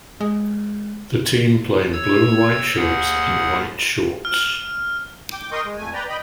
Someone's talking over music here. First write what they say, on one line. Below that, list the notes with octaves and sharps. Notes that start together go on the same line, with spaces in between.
The team play in blue and white shirts and white shorts.
G#3
C#5 E6 G#6
D#2 G#4 F#5
F6
G5 D6
A#4 D#5 G5 C6 C#6 D#6
G#3
F2 A3 G#5
B4 D5 G5 A#5
D#5 G5 B5